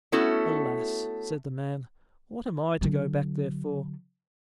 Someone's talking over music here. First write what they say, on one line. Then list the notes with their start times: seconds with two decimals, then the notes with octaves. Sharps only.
"Alas," said the man, "what am I to go back there for?"
0.12 A3 B3 C#4 E4 F#4 A4
2.81 D3 F#3